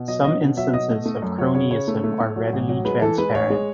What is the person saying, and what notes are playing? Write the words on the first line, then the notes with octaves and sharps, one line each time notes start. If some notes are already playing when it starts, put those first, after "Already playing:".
Some instances of cronyism are readily transparent.
Already playing: B2
F#3 D#5
C#4 D#5
B2
F#3 E5
B2 D#5
A3
A3
F#2
F#3 C#5
C#3 C#5
C#3 C#5
A3
A3
A3
F#3
A1
F#3
G#3 B4
E3 A4
G#3 B4
A1 C#5
G#3